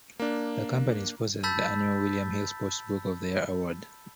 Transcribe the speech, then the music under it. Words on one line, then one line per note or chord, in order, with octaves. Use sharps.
The company sponsors the annual William Hill Sports Book of the Year award.
A#3 D4
A5 B5 E6 G6 A6 B6